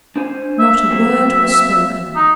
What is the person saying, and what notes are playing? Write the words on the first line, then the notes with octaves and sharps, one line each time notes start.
Not a word was spoken.
D4 C5 G#5
E5
F#3 A#3 C4
D#4